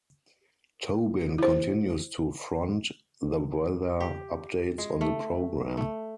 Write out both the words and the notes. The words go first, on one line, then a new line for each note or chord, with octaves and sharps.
Tobin continues to front the weather updates on the programme.
E4 C5
G4
G#3
A3
A3